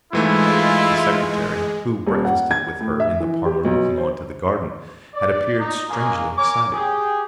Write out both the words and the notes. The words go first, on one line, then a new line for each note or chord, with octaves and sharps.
The secretary, who breakfasted with her in the parlour looking on to the garden, had appeared strangely excited.
G#2 E3 G#3 A3 E4 F4
D#1
F#5
G#6
A2
E5
E3
G4
B1
C5
D5
D#4
G#3 A#3 C#4 F4 G#4 G#5
A#4 C#5 G#5 D6
G4 G#4